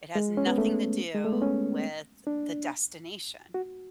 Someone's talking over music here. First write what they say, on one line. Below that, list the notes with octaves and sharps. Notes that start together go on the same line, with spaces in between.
it has nothing to do with the destination.
G#3
C#4
B3
A3
G#3
A3
B3
C#4
D4
F#4